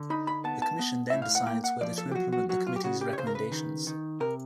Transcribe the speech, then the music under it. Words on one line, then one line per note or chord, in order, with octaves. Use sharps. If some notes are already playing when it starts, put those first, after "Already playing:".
The Commission then decides whether to implement the Committee's recommendations.
Already playing: D3
D#4 B5
B5
B3 A5
A5
B3
A2 E5
F5
F#5
A#3 G5
F#5
F3 D5
A4
G4
F#3 F#4
F#4
F#3 F#4
F4
G4
C#3 F#4
G4
C#5
C#3 C5
A#4
B4
D#3
D#3
C3 A#4